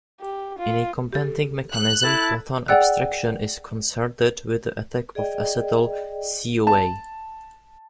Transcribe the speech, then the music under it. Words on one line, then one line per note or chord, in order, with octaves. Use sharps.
In a competing mechanism, proton abstraction is concerted with the attack of acetyl CoA.
G4
F4
G4 A4
F#6
E4 A4 A5
G#4 D5 F#5 G5 E6 F#6
G#4 D5 D#5 G5
A5